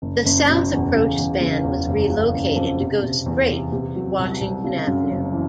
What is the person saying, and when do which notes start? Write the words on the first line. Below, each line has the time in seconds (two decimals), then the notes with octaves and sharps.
The south approach span was relocated to go straight to Washington Avenue.
0.02 F#1
0.26 F#1
0.48 B2
0.72 E2
0.95 C#3
1.18 E2
1.40 C#3
1.64 E2
1.87 F#1
2.10 C#3
2.34 F#1
2.56 F2
2.80 C3
3.03 C3
3.26 E2
3.49 C3
3.72 C3
3.96 F#3
4.19 C2
4.41 C2
4.64 C#3
4.87 F#2
5.11 F#1
5.33 E3